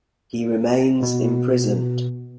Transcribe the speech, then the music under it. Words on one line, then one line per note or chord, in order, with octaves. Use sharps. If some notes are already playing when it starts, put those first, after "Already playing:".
He remains imprisoned.
B2